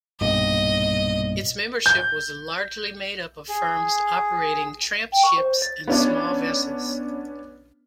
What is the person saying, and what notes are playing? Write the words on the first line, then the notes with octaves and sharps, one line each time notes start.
Its membership was largely made up of firms operating trampships and small vessels.
B1 G2 A#2 D#5
G6
G#4
G5
C#6
C5
A6
B3 C#4 D4